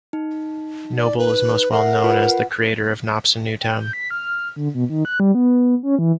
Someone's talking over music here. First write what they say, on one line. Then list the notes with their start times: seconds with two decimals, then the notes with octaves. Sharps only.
Noble is most well known as the creator of "Nobson Newtown".
0.13 D#4
0.97 D5
1.18 B4
1.72 A#4 E5 F#5
2.04 F4 B4 F#5
3.61 G5
3.80 G6
3.93 B6
4.11 F6
4.56 D3
4.74 B2
4.89 D#3
5.05 F#6
5.20 G3
5.35 B3
5.83 C#4
5.99 E3